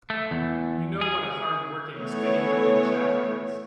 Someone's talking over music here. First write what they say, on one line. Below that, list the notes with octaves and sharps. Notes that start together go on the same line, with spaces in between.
You know what a hard-working, steady-going chap he is.
A3
E2
G#4
E3 A3 B3 C#5